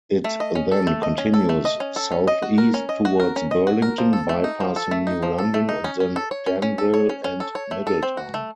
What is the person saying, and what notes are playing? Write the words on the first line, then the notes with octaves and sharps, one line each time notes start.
It then continues southeast towards Burlington bypassing New London and then Danville and Middletown.
A3
D#5
C#4
A4
A3
D#5
C#4
A4
A3
D#5
C#4
A4
C#4
D#5
F#4
A#4
C#4
D#5
F#4
A#4
C#4
D#5
F#4
A#4
F3
A4
A3
D#4
F3
A4
A3
D#4
F3
A4
A3
D#4
C#4
C#4
A4
C#5
C#4
C#4
A4
C#5
C#4
C#4
A4
C#5
A3
A4
C4
F#4
A3